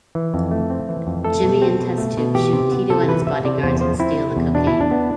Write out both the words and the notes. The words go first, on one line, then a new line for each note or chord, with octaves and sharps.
Jimmy and Test Tube shoot Tito and his bodyguards and steal the cocaine.
E3
F2
A3
C4
E3
F2
A3 A4
B2
C4
B2
A3
B2
E3 G4
C3
B3
C3 A4
E3 B4
C3 E5
C3 D5
E2 C5
F3 C5
C4 E4
C3
E2
B2 D4
E4
E2
D4
B3